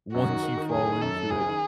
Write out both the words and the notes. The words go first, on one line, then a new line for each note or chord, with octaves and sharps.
once you fall into it,
F#2 F#4
D#3
D#3
D#3
F#1 G#4
D#3
F#2 A4
F#2
F#1 G#4
D#3